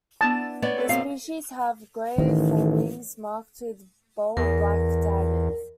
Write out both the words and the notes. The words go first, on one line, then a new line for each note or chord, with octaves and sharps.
This species has grey forewings marked with bold black "daggers".
B3 D4 E4 A5
B3 C#5 D5
C4 A4 B4
F#2 B2 C4 F5
A1 D#3
E2 A#4